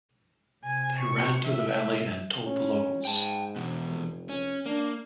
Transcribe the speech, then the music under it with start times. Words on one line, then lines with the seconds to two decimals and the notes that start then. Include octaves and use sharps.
They ran to the valley and told the locals.
0.64 C3 G#5
0.98 C#6
1.44 E5
2.46 C#4
3.05 G#2 G5 A5
3.56 E2 B2
3.86 F1
4.30 C#4
4.66 A#3 D4